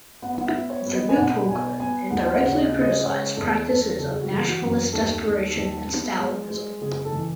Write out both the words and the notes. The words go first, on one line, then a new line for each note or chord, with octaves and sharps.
The new program indirectly criticized practices of nationalist desperation and Stalinism.
B3 F#5
F#5
E5
B3
C#5
B3
D#5
G#5
B1 F#5
B3 G#5
B3 G#5
D#2 F#5
F#5
C#3 C#5
D#5
C#3
D#5
G#3 C#5
E2 A4
E2 A4
F#1 A4
G#4
F#4
E3 G#4
F#4
F#2
D#2 A4
D#2
D#2
B3
G#3
G#3
F#1 G#4
A4
E3